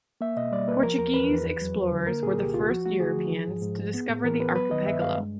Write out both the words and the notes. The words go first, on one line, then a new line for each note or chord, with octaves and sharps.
Portuguese explorers were the first Europeans to discover the archipelago.
A#3 E5
B2 D#5
G3 D5
A#3 B4
F3 A#4
E2 A#4
E2 B4
E2
F2
F#3
F#3
D3
A#3 A#4
A#2 G#4
C2 G4
C2 F4
F3 F#4
A3 F#4
D3 G#4
F3
F3
G#2
G#2
G#2
B3
A2
E3 A#4
B3 B4
F#3 B4
D#3 D#5
G2 E5
G2 F5
G#3